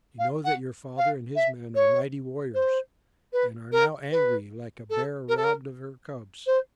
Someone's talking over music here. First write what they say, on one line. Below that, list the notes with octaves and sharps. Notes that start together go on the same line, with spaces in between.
You know that your father and his men are mighty warriors and are now angry, like a bear robbed of her cubs.
F5
F#5
F5
E5
C#5
C5
B4
A#4
B4
A4
A#4
A4
A#4
C5